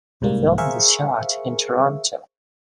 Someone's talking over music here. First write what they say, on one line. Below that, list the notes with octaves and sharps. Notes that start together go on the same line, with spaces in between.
The film was shot in Toronto.
C2 G#2 G3 A#3
G#4 A#4 C5 E5 F5 C#6